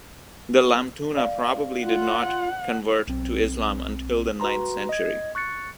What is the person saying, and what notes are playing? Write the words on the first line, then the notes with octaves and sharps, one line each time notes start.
The Lamtuna probably did not convert to Islam until the ninth century.
D5 F5
F4 F#5
B1 C4
F#4 B4 A#5 C6
D#5 G#6
C#6 F#6 A6 C#7